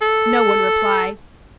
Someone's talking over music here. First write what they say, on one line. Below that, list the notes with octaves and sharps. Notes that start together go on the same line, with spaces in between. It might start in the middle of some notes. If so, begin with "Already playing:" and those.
No one replied.
A4